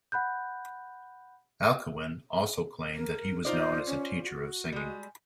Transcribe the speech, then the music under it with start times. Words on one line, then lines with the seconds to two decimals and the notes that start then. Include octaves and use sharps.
Alcuin also claimed that he was known as a teacher of singing.
0.12 F#5 B5 F#6 G6
2.94 A#4
3.45 D#4 F4 C5 D5
3.86 C#4
4.24 F#4
4.72 G3 G#3